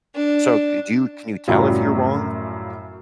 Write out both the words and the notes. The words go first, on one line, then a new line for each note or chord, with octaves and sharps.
So c you can you tell if you're wrong?
D4
F#2 A2 C#3 F#3 G3 F4